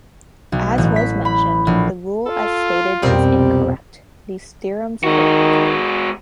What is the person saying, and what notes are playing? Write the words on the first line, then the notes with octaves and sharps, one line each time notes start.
As was mentioned, the rule as stated is incorrect; these theorems correct it.
B1
A1
B6
B5
A#1
F4 A4
C2 F2 B2 G3 C4 A#4
D#3 G#3 F#4